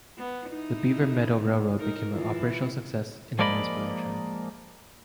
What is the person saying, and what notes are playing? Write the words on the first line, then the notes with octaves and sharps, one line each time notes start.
The Beaver Meadow Railroad became an operational success, and an inspiration.
B3
D#4 E4
D#4 A#4
E3 E4 F4
F3 G#3 A#3 D5 D#5 B5